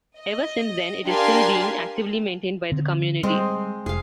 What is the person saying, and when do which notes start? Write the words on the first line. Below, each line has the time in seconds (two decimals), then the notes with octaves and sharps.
Ever since then it is still being actively maintained by the community.
0.18 D#5
1.06 D4 G4 A#4 F5 G#5 C6
2.72 D3 C4
3.23 G3 G#3 C4
3.86 F1 G#4 F5